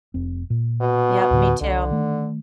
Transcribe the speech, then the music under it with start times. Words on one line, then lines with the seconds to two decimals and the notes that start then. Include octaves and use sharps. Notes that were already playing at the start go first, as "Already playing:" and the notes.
Yep, me too.
0.14 F1 C4
0.50 A#2
0.81 B2
1.30 D2 A2 D3
1.61 C2 D3
1.91 D#3 A3